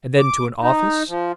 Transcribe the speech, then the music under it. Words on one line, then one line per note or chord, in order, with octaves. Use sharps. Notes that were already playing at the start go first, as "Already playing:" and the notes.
"And then to an office?"
D6
D#4
F3